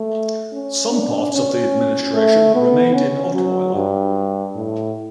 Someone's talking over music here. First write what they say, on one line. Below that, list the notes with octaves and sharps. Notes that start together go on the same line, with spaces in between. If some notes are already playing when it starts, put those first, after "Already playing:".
Some parts of the administration remained in Ottweiler.
Already playing: A3
C#4
D4
C#4
A3
B3
C#4
F#3
G2
A2